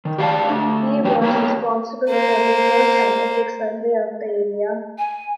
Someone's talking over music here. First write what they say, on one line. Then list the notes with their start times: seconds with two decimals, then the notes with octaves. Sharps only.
He was responsible for the first scientific survey of the area.
0.05 D#3
0.18 G4 D5 F5 F#5 A5
0.49 A3 D4 E5
1.04 F#2 E3 G4
1.21 A#3 B3 C#4 G4 A#4 A#5
2.09 A#3 C5
4.98 G#5